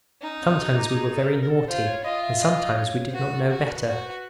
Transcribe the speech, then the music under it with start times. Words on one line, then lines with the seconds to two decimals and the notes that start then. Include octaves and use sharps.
Sometimes we were very naughty, and sometimes we did not know better.
0.21 C#4 D#4
0.39 C4
0.58 F#4
0.70 F#4
0.76 G4
0.89 G4
0.95 G#4
1.05 G#4
1.13 A4
1.31 A#4
1.42 A#4
1.50 A4
1.68 F4 C5
1.86 C#5
2.04 F4 D#5
2.22 E5
2.41 D#5
2.77 C#5
3.09 C5
3.14 F#4 B4
3.32 A4
3.51 F#4
3.60 A#4
3.69 B4
3.87 F#4 C5
4.06 B4